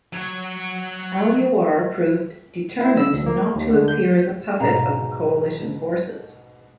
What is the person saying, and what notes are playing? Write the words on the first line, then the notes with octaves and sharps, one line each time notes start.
Al-Yawar proved determined not to appear as a puppet of the Coalition forces.
F#3 C#5
E4
E6
D2
A#3
D#2
D3
G6
G#2 B2 F5 A#5